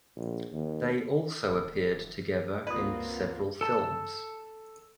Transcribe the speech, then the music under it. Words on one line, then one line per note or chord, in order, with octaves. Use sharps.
They also appeared together in several films.
A#1
D#2
D#1
C#2 A#3 C4 F4 F#4 B4 D5 D#6
A4 A5